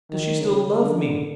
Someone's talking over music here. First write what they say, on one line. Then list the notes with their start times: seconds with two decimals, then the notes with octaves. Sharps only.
Does she still love me?
0.11 D#3
0.41 C#3
0.84 D3